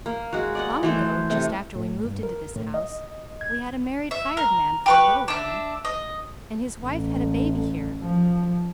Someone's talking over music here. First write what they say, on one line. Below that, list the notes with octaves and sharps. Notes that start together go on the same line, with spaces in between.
Long ago, just after we moved into this house, we had a married hired man for a little while, and his wife had a baby here.
A#3
G#3 F#4
D5 D#5 F#5
E3 A3 C5
C3 A3
A2
G2
A#4
A2
D#5
G#6
E5
A#4
G4 B4 C#6
D4 E5
D#5
A1
F3